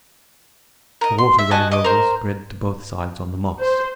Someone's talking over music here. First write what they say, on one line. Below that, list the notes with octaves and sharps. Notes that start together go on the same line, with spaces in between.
The water running over spread to both sides on the moss.
A#4 D#5
C6
E5
F#4 D#5 G#5 A5
D#5 D6
A#4 C5
C5